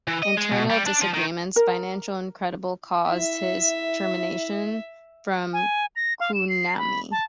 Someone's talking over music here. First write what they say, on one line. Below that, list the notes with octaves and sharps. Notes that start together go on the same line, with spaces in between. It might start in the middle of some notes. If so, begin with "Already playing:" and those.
Internal disagreements, financial and credible, caused his termination from Konami.
E3
D#5
G#3
B2
G3
D4
F3
D#3
A#4
E4 E5
G#5
A#6
F5
E7
C7
B5
A5